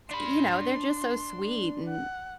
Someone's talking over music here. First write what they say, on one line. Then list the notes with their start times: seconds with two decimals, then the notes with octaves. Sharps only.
t you know, they're just so sweet, and,
0.11 D4 B5 C6
1.89 F#5